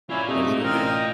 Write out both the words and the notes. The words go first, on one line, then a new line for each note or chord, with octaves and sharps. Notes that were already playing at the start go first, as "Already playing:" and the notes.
a little bit,
C#4 E4 F4 D5
C3 A3 D#4
A1 C4 D#4 A#4
D#5 G5